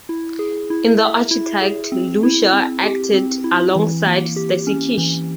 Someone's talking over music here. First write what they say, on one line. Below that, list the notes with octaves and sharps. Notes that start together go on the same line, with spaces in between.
In "The Architect," Lusha acted alongside Stacy Keach.
E4
G#4
E4
E5
E4
G#4
C4
E4
C4
G4
C4
E4
E3
A#3
G4
C#4
E3